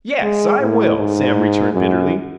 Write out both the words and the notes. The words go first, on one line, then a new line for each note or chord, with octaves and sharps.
"YES, I will!" Sam returned bitterly.
G#3
A2
G#2
F#2